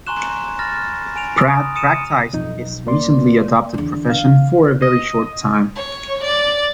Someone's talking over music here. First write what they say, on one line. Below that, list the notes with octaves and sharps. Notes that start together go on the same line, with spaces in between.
Prat practised his recently adopted profession for a very short time.
G#5 A#5 C6 C#6 F#6 E7
B5 F6 A6 A#6
G#5 D7 F7
D#6
D#6 C#7 D#7 E7
B1 F2 D#4
A#3 D5 C6
E2 D3
F5
D#5
C#5
D5